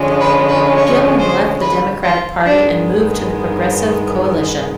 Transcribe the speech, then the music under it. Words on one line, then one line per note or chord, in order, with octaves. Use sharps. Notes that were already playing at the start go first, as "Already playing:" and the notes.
Gillon left the Democratic Party and moved to the Progressive Coalition.
Already playing: D3 F3 G#3 C#4
B4
B4
C#5
C5
B4
F4
G2 D#3 G#3 B3 D4